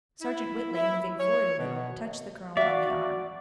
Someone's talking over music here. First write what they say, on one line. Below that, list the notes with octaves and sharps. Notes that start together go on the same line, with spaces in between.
Sergeant Whitley, moving forward a little, touched the colonel on the arm.
E4
E4
C#5
B2
F#4 D5 E5 F5